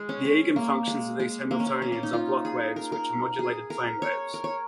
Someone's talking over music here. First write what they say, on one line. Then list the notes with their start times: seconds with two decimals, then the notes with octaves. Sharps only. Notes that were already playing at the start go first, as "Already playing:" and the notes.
The eigenfunctions of these Hamiltonians are Bloch waves which are modulated plane waves.
Already playing: G#3
0.09 C#4
0.25 C#4
0.56 A#3
0.88 G#3
1.20 G#3
1.51 A#3
1.60 C#4
1.67 A#3
1.82 C#4
1.92 C#4
2.03 D#4
2.13 F4
2.45 G#4
2.76 A#4
2.92 A#4
3.39 G#4
3.70 A#4
4.02 C#5
4.34 A#4
4.44 C#5